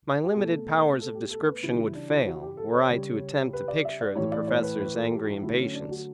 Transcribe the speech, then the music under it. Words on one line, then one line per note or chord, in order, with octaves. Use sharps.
My limited powers of description would fail, were I to attempt a picture of the Professor's angry impatience.
G4
B2 A3 A4
A4
G4
A4
B4
C#3 E3 G3 E4
E4
D4
E4
F#4
G4
A4
C#5
C#3 G3
B4
D5
E5
D5
A2 E3 A3 C#5
D5
C#5
B4
B4
A4
G4
E4
D3 F#3 A3 E4
C#4
D4
F#4